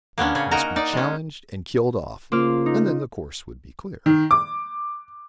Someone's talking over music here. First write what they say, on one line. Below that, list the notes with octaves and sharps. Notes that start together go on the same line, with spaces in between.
Blake must be challenged and killed off, and then the course would be clear.
A#3 B3 C#4 D4
C#3 C#4
D#4 F#4 A#4 D#5 A#5
D#4 D5
G#3 C#4
C#3 A#3 F4 C5 D6 F6
D#4
D#3
D6